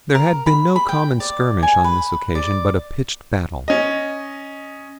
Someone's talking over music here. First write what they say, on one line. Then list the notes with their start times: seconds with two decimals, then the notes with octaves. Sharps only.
There had been no common skirmish on this occasion, but a pitched battle.
0.15 A#4
0.46 B5
0.76 B5
0.89 G5
1.20 D5
1.63 G#5
1.84 B4
2.35 D5
3.68 C#4 D#5